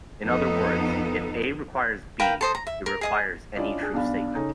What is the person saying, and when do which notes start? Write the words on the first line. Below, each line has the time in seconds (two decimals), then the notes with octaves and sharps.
In other words, if A requires B, it requires any true statement.
0.22 F2 B3 D#4 A4
2.20 A#4 B4 F5 G5
2.41 A4 C5 D#5
2.55 A#5
2.67 E5
2.86 A#4
3.01 G#4 D#5 D#6
3.56 C#4 D4 E4 F4 D5 D#5
3.81 D4 G#4 F#6
3.93 B1 D4 F5 B5
4.35 C#3 C#4 D#4 A4